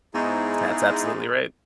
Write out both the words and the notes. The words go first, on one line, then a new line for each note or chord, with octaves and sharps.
That's absolutely right.
G#2 B3 D#4 E4 G#4 A#5 C#6